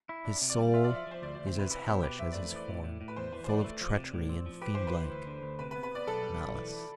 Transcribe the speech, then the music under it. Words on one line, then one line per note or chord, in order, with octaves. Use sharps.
His soul is as hellish as his form, full of treachery and fiend-like malice.
E4
D4
C3
D5
G3
F4 E5
D5
F3 E5
F3 C5
D2 D5
D5
D2
C5
C3 B4
E4 B4
B2 C5
G4 B4
F2 E5
D5
A3
E3 D5
A2
A2
A2
B4
E2 C5
E3 B4
C5
E3 D5
A3
F3
C3
A2
C4
F3
G4 B4
E3 C5
B4
E3
D2
D3
D2
C3 B4
B4
B3
B4
B3 D5
B1 A4
G3
B1
E3